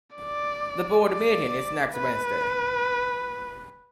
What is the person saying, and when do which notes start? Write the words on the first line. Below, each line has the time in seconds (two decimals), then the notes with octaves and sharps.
The board meeting is next Wednesday.
0.17 D5
1.05 D5
1.93 B4